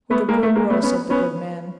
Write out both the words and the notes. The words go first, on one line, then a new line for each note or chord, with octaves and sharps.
With a good will, said the good man.
A3 B3
G#3 A#3
A3
G#3 A#3
A3 B3
B3 C#4
B3 C#4